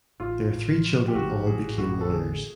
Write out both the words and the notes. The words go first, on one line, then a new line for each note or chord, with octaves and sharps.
Their three children all became lawyers.
A1 F4
A2
F3
G4
A1 F#4
A2 G#4
A1 F#4
A4
D3 G#4